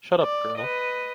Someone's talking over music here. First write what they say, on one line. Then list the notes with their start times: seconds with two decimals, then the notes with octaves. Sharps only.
Shut up, girl!
0.22 D5
0.58 B4 D#5